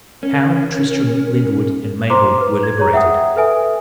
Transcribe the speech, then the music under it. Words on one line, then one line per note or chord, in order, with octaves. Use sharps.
How Tristram Lyndwood and Mabel were liberated.
C#4 A#4
C5 A#5 C6 D6
B4 D6
G#6
G#4 C#5 A#5
E5 F#5 G5 D#6
A4 B4 E5 G#5 D#6